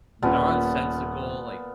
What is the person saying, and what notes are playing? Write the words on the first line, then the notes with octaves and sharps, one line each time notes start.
nonsensical, like
D#1 A#2 B3 C#4 F4 A5